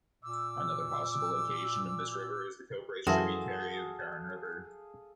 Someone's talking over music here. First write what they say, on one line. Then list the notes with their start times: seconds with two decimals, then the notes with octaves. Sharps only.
Another possible location of this river is the Coprates tributary of the Karun River.
0.24 A#2 D6 E6
3.07 F#2 E3 E4 F#4 G#4 A4 F5 C6